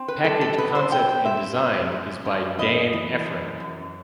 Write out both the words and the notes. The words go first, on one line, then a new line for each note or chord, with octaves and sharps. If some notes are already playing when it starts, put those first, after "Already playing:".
Package concept and design is by Dan Efram.
Already playing: C4
B4
G3 A4
A4
B2 B4
C5
B2 G5
G5
C4 E5
G3
F#2
F#2
B3 D#5
E3
F#2
F#2